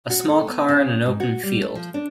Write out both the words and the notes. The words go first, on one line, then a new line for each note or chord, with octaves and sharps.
A small car in an open field.
F#4
A4
B3
C#3
G#2
F#4
G3
A3
F3
D4